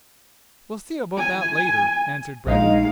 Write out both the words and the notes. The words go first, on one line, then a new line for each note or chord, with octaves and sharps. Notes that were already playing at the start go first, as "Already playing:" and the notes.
"We'll see about that later," answered Breton.
G#5
A#1 G#3 D#4 F5